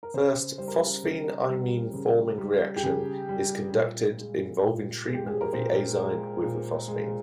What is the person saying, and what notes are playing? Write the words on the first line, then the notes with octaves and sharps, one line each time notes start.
First phosphine imine-forming reaction is conducted involving treatment of the azide with the phosphine.
A#4
C#3 C5
G3 C5
A#4
C5
C#3
G3
C#3
G3
G4
C#3 G#4
G3
A#2
G#3
A#2
G#3
G4
G#4
A#4
A#2 C5
G#3
A#2
G#3